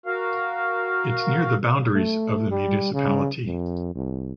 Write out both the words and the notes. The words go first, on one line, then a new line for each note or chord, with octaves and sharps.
It’s near the boundaries of the municipality.
F#4 A#4 F5
A3
G3
C#3
F2
C2